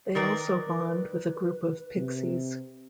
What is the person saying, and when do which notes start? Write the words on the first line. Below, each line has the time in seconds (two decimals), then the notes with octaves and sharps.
They also bond with a group of pixies.
0.15 D#3 A#4 B4 D5
1.96 C3